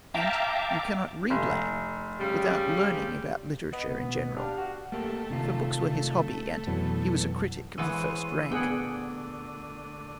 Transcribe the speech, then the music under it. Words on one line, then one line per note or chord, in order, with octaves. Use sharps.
And you cannot read Lamb without learning about literature in general; for books were his hobby, and he was a critic of the first rank.
E5 F5 G5 A5 A#5 D6
F1
C#3 G3
B3 D#5
B2
D4 G4 F5
F#4
A3 A#3 G4 A4
C3 D#3 F4
F2 B2 E3 F#3 B3
E3 G#3 B3 C5 C#5 E6 D#7
A#2 D3 A3 B3 D4 G#4 F#5 G5